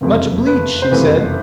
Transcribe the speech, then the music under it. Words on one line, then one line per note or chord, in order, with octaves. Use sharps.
"Much obleeged," she said.
F#1 F2 C3 E3 A3
B4
C5
F#1 F2 C3 E3 A3 B4